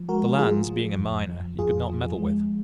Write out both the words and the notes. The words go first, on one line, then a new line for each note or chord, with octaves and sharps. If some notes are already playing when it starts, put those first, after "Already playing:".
The lands, being a minor, he could not meddle with.
Already playing: F3
G#3 F#4 A#4
F3 F4 G#4
F3
F2
F3
F2 F4 G#4
F3
G#3